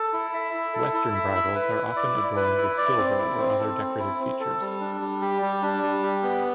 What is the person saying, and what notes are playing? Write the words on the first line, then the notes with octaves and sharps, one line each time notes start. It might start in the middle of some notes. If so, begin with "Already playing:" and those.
Western bridles are often adorned with silver or other decorative features.
Already playing: A4
E4
E5
E4
A4
E4
E5
E4
B4
E4
D5
E4
B4
E4
D5
C4
E4
C4
A4
C4
E4
C4
A4
G3
D4
G3
G4
G3
D4
G3
G4
B3